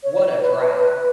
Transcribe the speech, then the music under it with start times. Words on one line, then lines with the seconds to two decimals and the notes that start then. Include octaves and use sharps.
what a drag.
0.04 C#5
0.41 B4
0.79 B4